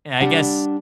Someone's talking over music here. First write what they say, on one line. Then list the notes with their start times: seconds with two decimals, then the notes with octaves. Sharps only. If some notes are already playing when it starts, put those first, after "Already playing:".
and I guess
0.21 G3 D4 F#5